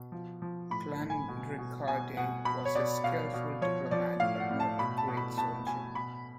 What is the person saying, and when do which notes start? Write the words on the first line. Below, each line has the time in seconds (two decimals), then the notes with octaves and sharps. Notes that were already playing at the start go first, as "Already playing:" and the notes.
Clanricarde was a skillful diplomat but not a great soldier.
Already playing: B2
0.12 F3
0.42 F3
0.70 A2 B5
0.99 A2
1.10 G#5
1.28 B2
1.58 B2
1.87 B2 G#5
2.17 B2 F#5
2.45 B2 B5
2.65 C#5
2.75 B2 D5
3.04 B2 F5
3.33 B2
3.62 F3 C#5
3.91 F3 D5
4.20 A2 F5
4.40 F#5
4.50 A2
4.60 A5
4.79 B2 B5
4.98 A5
5.08 B2
5.17 B5
5.38 B2 A5
5.67 B2 G#5
5.95 B2 B5